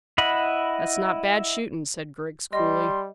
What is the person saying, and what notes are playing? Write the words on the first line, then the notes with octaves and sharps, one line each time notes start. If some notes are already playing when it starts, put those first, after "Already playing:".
"That's not bad shooting," said Griggs coolly.
E4 D#5 F#5 B5
G3 D#5 C6